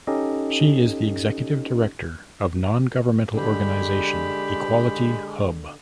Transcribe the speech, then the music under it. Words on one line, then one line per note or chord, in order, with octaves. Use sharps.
She is the executive director of non governmental organisation Equality Hub.
C#4 D#4 G4 A4 D#5
D3 G#3 G4 B5